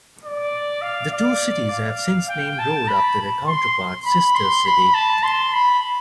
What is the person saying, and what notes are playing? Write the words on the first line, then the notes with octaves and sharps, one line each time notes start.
The two cities have since named roads after their counterpart sister city.
D5
F5
D5
F5
G5
A5
B5
C6
B5
C6
B5
A5
C6
B5